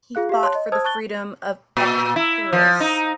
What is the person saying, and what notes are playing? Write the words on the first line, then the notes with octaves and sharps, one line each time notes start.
He fought for the freedom of Epirus.
F4 G#4 F5 F#6
G4 F5
C#5 A5 C6 F#6
D#5
C5 A5 D#6 E6 G#6
A5 C#6 F#6 A6 G7
A#2
E4
F3
D#4